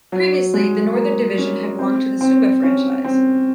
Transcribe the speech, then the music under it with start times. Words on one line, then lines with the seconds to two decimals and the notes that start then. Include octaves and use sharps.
Previously the Northern Division had belonged to the Suva franchise.
0.12 F#3
0.54 G#3
0.95 A#3
1.38 C#4
1.79 C4
2.21 C4
2.63 C#4
3.04 C4